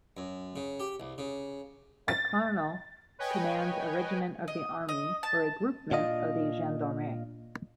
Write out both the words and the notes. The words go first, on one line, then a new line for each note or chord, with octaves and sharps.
A "colonel" commands a regiment of the army or a "groupement" of the Gendarmerie.
F#2
C#3
G4
C2
C#3
A6
B4 C#5 D#5 G5 G#5
D#5
D#5
A5
A#2 D4 F4 D#5